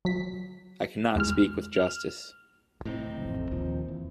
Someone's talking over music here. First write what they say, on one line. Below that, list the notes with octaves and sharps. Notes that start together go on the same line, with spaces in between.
I cannot speak with justice.
F#3 B6
E2 G#3 F6
F6
A2 C3 C4 D#4
A1 F2
D#2 A#2 F3
E2